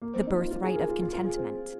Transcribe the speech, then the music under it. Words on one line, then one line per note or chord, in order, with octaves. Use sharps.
The birthright of contentment.
A#3
C4
D#4
F4
F4
G#4
A#4
F4
F4
F4
G#4
C4